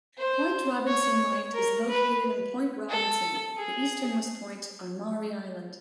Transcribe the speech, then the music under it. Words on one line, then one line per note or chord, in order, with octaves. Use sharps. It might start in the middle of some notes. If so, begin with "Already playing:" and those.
Point Robinson Light is located on Point Robinson, the easternmost point on Maury Island.
C5
C#5
A#4
B4
A4
G#4